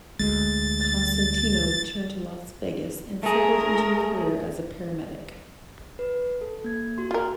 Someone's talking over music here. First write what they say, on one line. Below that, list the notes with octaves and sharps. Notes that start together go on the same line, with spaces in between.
Costantino returned to Las Vegas and settled into a career as a paramedic.
D2 G#3 A6
A3 G#4 A#4
B4
A4
A#3 G#6
F#4 C6
F4 A#4 C6